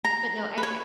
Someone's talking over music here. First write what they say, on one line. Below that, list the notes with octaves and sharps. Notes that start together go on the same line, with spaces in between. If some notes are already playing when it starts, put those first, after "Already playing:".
But no, I I
A#5
B4
C#5